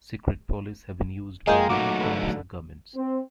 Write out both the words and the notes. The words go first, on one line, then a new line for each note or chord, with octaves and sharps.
Secret police have been used by many types of governments.
G#3 A#3 F4 G#4 D#5 G5
F#3 A3 D#4 F#4 D6
D3 B4
C4